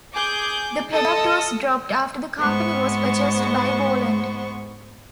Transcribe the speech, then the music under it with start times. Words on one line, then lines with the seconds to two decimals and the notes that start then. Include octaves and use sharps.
The product was dropped after the company was purchased by Borland.
0.14 G#4 D6 G6
0.93 A4 D#5 D#6
2.39 G#2 G#3 B3 C5 C#6